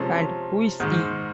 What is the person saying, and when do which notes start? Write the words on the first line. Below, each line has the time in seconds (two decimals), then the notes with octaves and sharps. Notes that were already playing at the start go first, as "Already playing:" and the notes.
And who is he?
Already playing: C3 F3 G#3 C#4
0.80 G#2 D#3 G#3